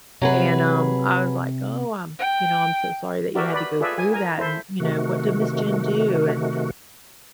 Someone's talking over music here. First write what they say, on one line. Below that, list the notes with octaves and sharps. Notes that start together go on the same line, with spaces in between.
and, um, I was like, "Oh, um, you know, I'm so sorry that you had to go through that and, you know, what did Miss Jane do?" And,
C3 F#3 G#4 B4
G5
F#4 G4 A#4 D5 E5
B4 D5 B5
F4 G#4 A4 B4 D5 E5
G#5
A#4 G#5 A#5
E4 A4 C5
C3 D#3 A3 F#4